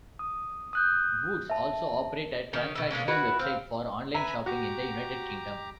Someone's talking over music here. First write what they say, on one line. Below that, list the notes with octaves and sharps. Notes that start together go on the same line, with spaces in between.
Boots also operate a transactional website for online shopping in the United Kingdom.
D#6
D#6 F#6 G6
E5 A5
D#3 C#4
B2 E5
B2 G#3 A#3 C#4
E4 F#4 B4
C4 F5
B4 E5 G#5 A#5
F#4 G4 A#5